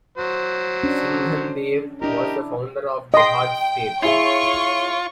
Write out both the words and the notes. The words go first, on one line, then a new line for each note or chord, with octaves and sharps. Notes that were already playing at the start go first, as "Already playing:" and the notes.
Singhandev was the founder of Gohad state.
F#3 C5
C#4 D4
D4 E4 G4 A#4 D#5
D#5 G5 C6
E4 F4 G#4 C#5 E5 C#6